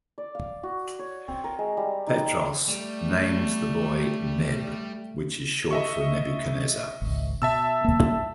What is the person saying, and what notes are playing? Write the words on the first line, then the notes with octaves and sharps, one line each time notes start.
Petros names the boy Neb, which is short for Nebuchadnezzar.
D5
F5
F#4
C#5
C4
A#4
G#3
G3
D#4
G3 A3
D#5 E5 C#6
G#1 C#2
B2 E5 A5 E6
A#3